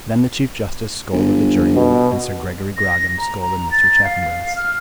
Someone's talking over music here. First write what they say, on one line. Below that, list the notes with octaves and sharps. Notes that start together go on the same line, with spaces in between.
Then the Chief Justice scolded the juryman, and Sir Gregory Grogram scolded Mr. Chaffanbrass.
G1
B2
A#6
A#5
A#5
A6
F5
F6